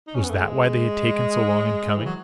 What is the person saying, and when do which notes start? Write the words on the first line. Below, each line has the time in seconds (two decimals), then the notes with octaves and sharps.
Was that why they had taken so long in coming?
0.07 D#4
0.15 C#4
0.23 B3
0.31 A3
0.39 G#3
1.98 E3
2.06 F#3